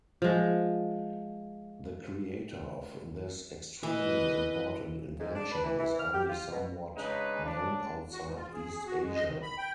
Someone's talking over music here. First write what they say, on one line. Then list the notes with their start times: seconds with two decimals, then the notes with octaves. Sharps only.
The creator of this extremely important invention is only somewhat known outside East Asia.
0.22 F3 G#3
3.83 E3 B4 D#5
5.19 G#2
5.34 D4
5.52 B4
5.64 E3
5.78 E3
5.98 F6
6.13 G4
6.29 F4
6.51 B2
6.96 C#3 G#3 D4 D#4 B4
7.45 C#3 D4
8.12 F#4
8.24 G#2
8.36 F4
8.53 G#4
8.71 G#4
8.86 F#4
9.02 G#3
9.15 D#5
9.27 D#3
9.42 B5
9.58 G5